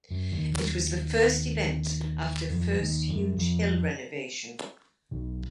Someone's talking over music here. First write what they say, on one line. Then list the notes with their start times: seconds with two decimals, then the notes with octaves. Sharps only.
It was the first event after first huge hill renovation.
0.10 F#2
0.32 D#2 D#3
0.54 D#2 D#3
2.50 F2 F3
2.80 D#2 D#3
3.08 F#2 F#3
3.37 F2 F3
5.11 B1 B2